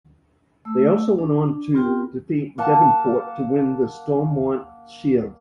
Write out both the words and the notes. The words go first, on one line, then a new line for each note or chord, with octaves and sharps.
They also went on to defeat Devonport to win the Stormont Shield.
A3 E6
D4
B3 C4 F4 G4 A#4 G5
A#3 F#5 A5